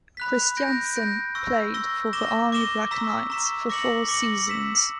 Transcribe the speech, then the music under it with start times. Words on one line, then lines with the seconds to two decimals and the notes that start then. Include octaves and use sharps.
Christiansen played for the Army Black Knights for four seasons.
0.17 B5 F#6 B6
0.57 G6 A#6 D7
0.95 G6 A#6 D7
1.35 C#6 E6 A#6
1.74 C#6 E6 A#6
2.13 D6 A#6 E7 G7
2.52 D6 A#6 E7 G7
2.91 A#5 C#6 E6 B6 E7
3.30 A#5 C#6 E6 B6 E7
3.70 D6 A#6 C#7 F#7
4.08 D6 A#6 C#7 F#7
4.47 E6 B6 E7